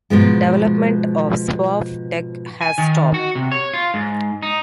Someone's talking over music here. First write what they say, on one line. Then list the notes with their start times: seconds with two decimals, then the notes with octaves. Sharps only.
Development of Swfdec has stopped.
0.10 G#2 B2 F3 G#3
2.61 G#5
2.78 D#3
3.14 F#4
3.35 C3
3.52 C#5
3.74 F4
3.94 G#2
4.43 D#4